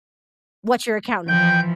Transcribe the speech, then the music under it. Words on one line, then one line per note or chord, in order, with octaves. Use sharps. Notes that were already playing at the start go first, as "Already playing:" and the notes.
What's your account number?"
E3 F3 G5 G6